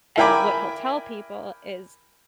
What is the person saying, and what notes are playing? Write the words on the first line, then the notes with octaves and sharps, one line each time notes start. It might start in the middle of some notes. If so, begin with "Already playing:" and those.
and what he'll tell people is,
E4 A#4 G5 G#5 B5 D6